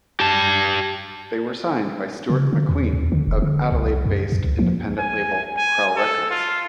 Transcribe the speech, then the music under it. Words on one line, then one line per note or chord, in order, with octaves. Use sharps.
They were signed by Stuart MacQueen of Adelaide-based independent label, Krell Records.
G4 A5
C#3
D3
E2
D#2
D3
E1
D3
C2
F#2
F#2
C#2
F3
G#5
G#5
A4
F4